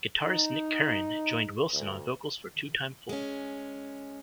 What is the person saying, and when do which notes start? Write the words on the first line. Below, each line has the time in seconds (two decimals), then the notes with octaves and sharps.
Guitarist Nick Curran joined Wilson on vocals for "Two Time Fool".
0.23 D#4
1.72 D2
3.09 G#3 C#4